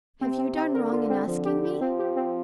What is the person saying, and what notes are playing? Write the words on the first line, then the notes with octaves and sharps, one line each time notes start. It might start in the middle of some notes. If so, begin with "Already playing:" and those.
Have you done wrong in asking me?
C3 C4
C4
C4
D3 A#4
F4
C4
D3 F3
G4
G4
F3 C4
G4
C4